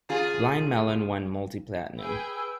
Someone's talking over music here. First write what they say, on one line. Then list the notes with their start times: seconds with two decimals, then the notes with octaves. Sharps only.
"Blind Melon" went multi-platinum.
0.09 C#3 F4 G#4
1.97 G#4 B4 G5 E6